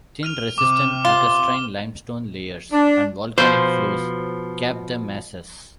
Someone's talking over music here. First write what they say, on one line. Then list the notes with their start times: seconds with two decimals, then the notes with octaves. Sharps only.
Thin resistant lacustrine limestone layers and volcanic flows cap the mesas.
0.23 F6 D#7 F7
0.58 C3 D6
1.05 F4 G7
2.72 D4
3.38 B2 F3 C5